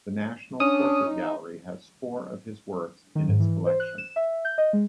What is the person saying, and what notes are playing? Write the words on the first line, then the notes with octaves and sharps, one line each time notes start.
The National Portrait Gallery has four of his works in its collection.
C#4 D4 D#6
D#4
D#3
G#2
E3
C5
F#6
E7
E5
G6
D#5
G#3